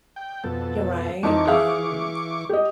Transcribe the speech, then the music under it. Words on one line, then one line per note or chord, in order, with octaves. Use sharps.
You're right, um,
G5
F2 B2 A4
F2 E3 D#4 C#6 D6
G#4 E5 F5
G4 D#5